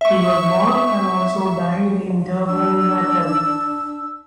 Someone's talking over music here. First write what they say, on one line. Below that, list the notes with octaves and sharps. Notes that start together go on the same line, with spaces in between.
He was born and also died in Durban, Natal.
E5 C#6
D4 E6